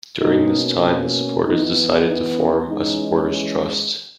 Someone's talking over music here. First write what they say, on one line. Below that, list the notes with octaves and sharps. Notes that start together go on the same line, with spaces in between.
During this time, the supporters decided to form a supporters trust.
B2 A#3 C#4 D#4
E3 B3 D#4
D#4
C#4
E3 G#3 C#4 D#4